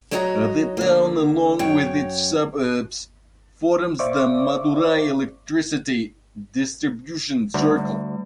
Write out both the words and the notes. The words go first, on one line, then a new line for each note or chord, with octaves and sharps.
The town along with its suburbs forms the Madurai Electricity Distribution Circle.
F#3 F#4 C#5 D#5 E5 A#5
D3 A#3
F#2 C#5 G5
C5 D5 E5 F5 C#6 D6
D2 G3 A3